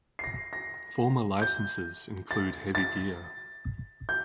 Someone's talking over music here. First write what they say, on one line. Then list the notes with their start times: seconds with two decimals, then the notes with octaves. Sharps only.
Former licences include Heavy Gear.
0.19 C7
0.24 A#6
0.53 A#6
1.42 G6
2.31 A6
2.75 A6
4.09 G6